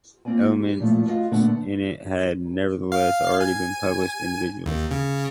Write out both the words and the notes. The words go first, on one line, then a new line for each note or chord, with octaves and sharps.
Elements in it had nevertheless already been published individually.
A#3 C4 F4 D5 G#5
G4
A#2 F3 A3 E4 F4
F4 F#4 C5 D#5 F5
A#2 D3 A3 B3 F#5 A5
F5
G#5
D#2
C#3